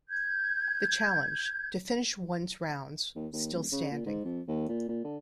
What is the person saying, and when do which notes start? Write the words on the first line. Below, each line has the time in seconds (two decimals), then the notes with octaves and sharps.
The challenge: to finish one's rounds still standing.
0.09 G6 G#6
3.16 D#2
3.33 D#2
3.54 D#1
3.72 C#3
3.91 A#2
4.06 G#2
4.24 F2
4.48 D#2
4.69 A#2
4.88 A#2
5.05 D3